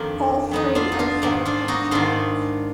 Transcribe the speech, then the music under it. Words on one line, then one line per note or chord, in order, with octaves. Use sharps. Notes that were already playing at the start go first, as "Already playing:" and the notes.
All three are separate panchayats.
Already playing: F2 D#3 A#3 D4
F2 D#3 B3 D#4
D4 F4
D#4
D4 F4
G#2 D#3 A#3 D4
D4 F4
D#4 F#4
G#2 D#3 D4 F4